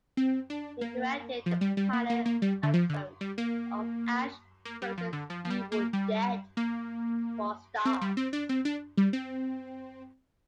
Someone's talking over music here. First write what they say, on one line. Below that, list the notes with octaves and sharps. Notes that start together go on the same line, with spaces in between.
He directed the pilot episode of "Ash versus Evil Dead" for Starz.
C4
D4
A#3
F3
G3
G3
A#3
A#3
A#3
G3
D3
F3
D3
G3
A#3
A#3
G3
F3
D3
F3
F3
G3
A#3
G3
A#3
C4
G3
C4
D4
C4
D4
G3
C4